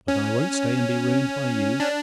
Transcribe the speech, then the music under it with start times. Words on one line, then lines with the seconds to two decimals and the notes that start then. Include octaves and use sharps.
But I won't stay and be ruined by you.
0.08 C#4
1.80 D4